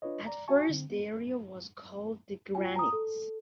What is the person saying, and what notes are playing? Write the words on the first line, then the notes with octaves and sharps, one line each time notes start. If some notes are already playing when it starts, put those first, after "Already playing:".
At first the area was called "The Granites".
D4 F4 B4 C#5 D#5
D5 A#5
F#4 E5 G#5 A5 C#6
D3 C4
B3
F4 G5 G#5
A#5 D#6
A4